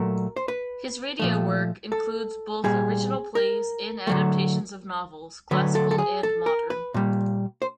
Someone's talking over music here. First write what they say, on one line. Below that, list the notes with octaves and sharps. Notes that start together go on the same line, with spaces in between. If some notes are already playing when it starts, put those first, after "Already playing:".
His radio work includes both original plays and adaptations of novels, classical and modern.
Already playing: A#2 F#3 A3 A#4
C5
B4
A#2 F3 A3
A4
A#2 G3 G#4
A#4
D3 F#3 A3
D3 F#3 A3 B4
A4
A4
G#4
A4
A#4
B4
A#2 G3
C5